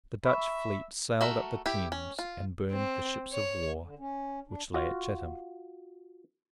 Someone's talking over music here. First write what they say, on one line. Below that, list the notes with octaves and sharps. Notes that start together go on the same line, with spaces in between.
The Dutch fleet sailed up the Thames, and burned the ships of war which lay at Chatham.
E5 B5 C#6
A3 F#4 A#4 E5
E4 G4
C#4
F4
C4
C#5
D3
C#4
D4
F4 F#4